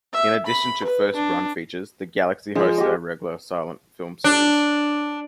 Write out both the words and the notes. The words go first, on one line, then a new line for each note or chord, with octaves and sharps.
In addition to first-run features, The Galaxy hosted a regular silent film series.
E5
B5
B4
D4
F3 G#3
G4 D#5
D4